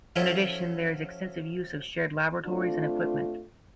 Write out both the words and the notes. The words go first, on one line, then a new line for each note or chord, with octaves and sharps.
In addition, there is extensive use of shared laboratories and equipment.
F3 F#3 C#4 E4 F4 A4
A3 C4 D4 F4